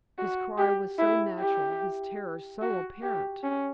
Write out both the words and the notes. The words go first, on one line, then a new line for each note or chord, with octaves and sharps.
His cry was so natural, his terror so apparent!
F#4
G4
E4
G4
F#4
G4
C#4